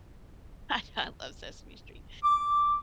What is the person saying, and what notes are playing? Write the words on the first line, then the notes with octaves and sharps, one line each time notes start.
I I love Sesame Street.
D6